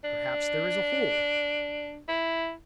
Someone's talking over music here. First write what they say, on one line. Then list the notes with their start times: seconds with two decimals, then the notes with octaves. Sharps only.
Perhaps there is a hole.
0.04 D4
2.08 E4